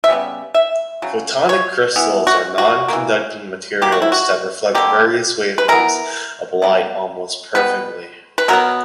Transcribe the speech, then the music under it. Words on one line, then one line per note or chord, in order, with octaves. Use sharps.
Photonic crystals are non-conducting materials that reflect various wavelengths of light almost perfectly.
E5
C#3 G3 B3
E5
C#3 F#3
C#5
E3 B3
F#4
F#4
E3 A#3
B2 G3 A#3 G4
F#4
E4
F#4
D3 A#3 G4
B4
E3 B3 A#4
B2 G3 A#3
B2 G3 B3 B4
B4
B2 F#3 B3 A#4